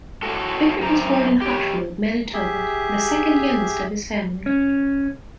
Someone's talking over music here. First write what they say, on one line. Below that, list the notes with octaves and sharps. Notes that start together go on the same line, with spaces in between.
Bickert was born in Hochfeld, Manitoba, the second youngest of his family.
A2 F#4 A4
F#2 C4 A#5
G4 C#5
G4 G#4 E5
C#4